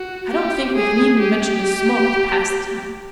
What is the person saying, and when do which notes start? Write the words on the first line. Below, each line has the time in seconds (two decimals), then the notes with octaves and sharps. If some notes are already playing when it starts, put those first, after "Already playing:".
I don't think we can even venture to smoke to pass the time.
Already playing: F#4
0.30 G4
0.76 G#4
1.20 G4